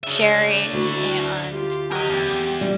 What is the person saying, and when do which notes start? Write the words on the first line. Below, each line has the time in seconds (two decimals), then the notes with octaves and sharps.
sharing and, um,
0.04 C#3 D4 E5
0.73 D2 E4 F#4
1.52 F4 G4
1.92 G4 A#4 D#5
2.09 E2
2.61 G3